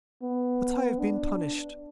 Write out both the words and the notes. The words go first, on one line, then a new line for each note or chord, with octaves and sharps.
"But I have been punished."
B3
D4